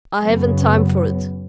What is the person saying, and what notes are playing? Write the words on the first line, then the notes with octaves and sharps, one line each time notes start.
I haven't time for it.
F#2 C#3 F#3 B3